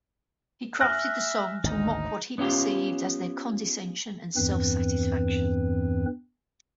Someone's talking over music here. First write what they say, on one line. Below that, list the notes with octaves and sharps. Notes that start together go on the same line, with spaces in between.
He crafted the song to mock what he perceived as their condescension and self-satisfaction.
E5 G#5 F6 F#6 A#6
G#1 D2 D#4
B3 C#4 F4 G4
E2 G2 E3 C4 B4